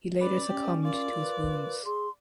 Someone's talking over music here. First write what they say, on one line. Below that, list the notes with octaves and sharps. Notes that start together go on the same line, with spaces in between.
He later succumbed to his wounds.
C#4 B4 D5
C#4 G4
F4 A#4 D5
B4
G#4 C6